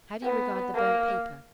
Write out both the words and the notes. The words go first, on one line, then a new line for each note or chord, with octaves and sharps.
How do you regard the burnt paper?
B3
A#3